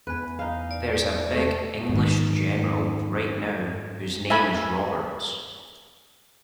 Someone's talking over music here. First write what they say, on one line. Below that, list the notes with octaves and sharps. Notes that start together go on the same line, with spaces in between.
There's a big English general right now whose name is Roberts.
E2 B4 G#5
D#4 F5
D5
A3
G#2 D#3
E5 G#5 B5